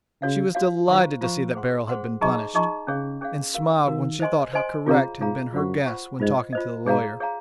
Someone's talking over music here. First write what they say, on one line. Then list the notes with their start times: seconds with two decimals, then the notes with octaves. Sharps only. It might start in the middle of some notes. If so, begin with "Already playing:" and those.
She was delighted to see that Beryl had been punished, and smiled when she thought how correct had been her guess when talking to the lawyer.
0.22 C#3 F#4 C#5 F5
0.55 F#4 C#5 F5
0.88 D#3 F4 C5 F5 A#5 C#6
1.21 F3 F4 C5 F5 A#5 C#6
1.55 G#4 C5 F#5 C6
1.88 G#4 C5 F#5 C6
2.21 F#3 D#4 G#4 D#5 A#5 C#6
2.55 F3 D#4 G#4 D#5 A#5 C#6
2.87 C#3 C#4 G#4 C#5 F5
3.21 C#4 G#4 C#5 F5
3.54 F#4 A#4 F5
3.87 D#3 F#4 A#4 F5
4.20 C5 D#5 G#5 C6
4.53 C5 D#5 G#5 C6
4.86 C3 F4 G#4 C#5 F5 A#5
5.20 G#2 F4 G#4 C#5 F5 A#5
5.53 F#2 F4 C5 F#5 C#6
5.86 F4 C5 F#5 C#6
6.20 G#2 F4 C5 D#5
6.53 F4 C5 D#5
6.86 G#2 G#4 C#5 F5 A#5
7.20 G#4 C#5 F5 A#5